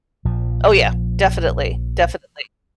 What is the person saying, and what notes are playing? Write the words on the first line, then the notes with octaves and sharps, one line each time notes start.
Oh, yeah. Definitely. Definitely.
A#1 F3